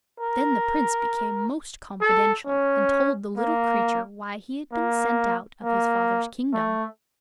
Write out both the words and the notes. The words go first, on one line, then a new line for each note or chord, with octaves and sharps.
Then the Prince became most confidential and told the little creature why he had been sent out of his father's kingdom.
A#4
A4
C#4
A#3
A#3
A#3
A3